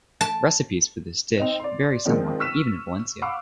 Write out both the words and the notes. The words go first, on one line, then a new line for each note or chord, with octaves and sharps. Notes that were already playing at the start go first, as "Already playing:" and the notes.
Recipes for this dish vary somewhat, even in Valencia.
A5
C4 D#4 F7
D5 C6
D#3 F3 G#3 C4 D4
C#6 E6 F6 B6 D#7 E7
F5 F#5 B5 C#6 D6 E6